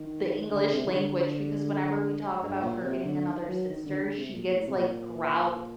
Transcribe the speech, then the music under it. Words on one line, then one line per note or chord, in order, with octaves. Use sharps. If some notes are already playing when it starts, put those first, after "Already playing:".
the English language because whenever we talk about her getting another sister, she gets, like, growly,
Already playing: D#3
D3
C3
D#3
D3
G2
A#2
C3
D3
D#3
D#3
F#3
D#3
D3
D3
C3
A#2
A#2
A2
C3
A#2